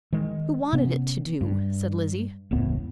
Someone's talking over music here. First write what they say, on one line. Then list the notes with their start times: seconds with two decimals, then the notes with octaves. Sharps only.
"Who wanted it to do?" said Lizzie.
0.13 D#3 G#3
0.73 C3 B3 C#4
1.41 G2
2.51 E1 C#2 A2 B3